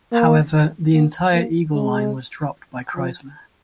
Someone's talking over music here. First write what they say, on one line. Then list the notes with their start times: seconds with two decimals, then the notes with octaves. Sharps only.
However, the entire Eagle line was dropped by Chrysler.
0.12 A#3
0.93 A#3
1.33 A#3
1.74 G#3
2.96 F3